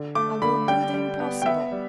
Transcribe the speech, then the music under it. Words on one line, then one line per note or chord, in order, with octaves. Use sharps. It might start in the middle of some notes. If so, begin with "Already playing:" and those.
I will do the impossible.
Already playing: D3
A3 D6
D3 B5
G3 G5
G3
B3
G5
B3 E5
G3